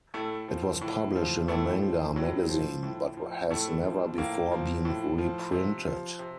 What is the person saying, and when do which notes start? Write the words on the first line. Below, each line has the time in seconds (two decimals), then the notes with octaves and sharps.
It was published in a manga magazine, but has never before been reprinted.
0.14 A2 A3
0.48 F3
0.81 A2
1.15 F3
1.48 A2 A3
1.82 F3
2.16 A2 F#3
2.49 F3
2.83 A2
3.17 F3
3.50 A2 A3
3.84 F3
4.18 A2 A#3
4.52 F3
4.85 A2
5.18 F3
5.52 C3
5.86 F3
6.19 C3